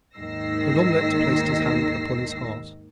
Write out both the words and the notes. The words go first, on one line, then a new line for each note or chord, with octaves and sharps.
De L'Omelette placed his hand upon his heart.
D#2 G#2 D#3 E6 A#6 C7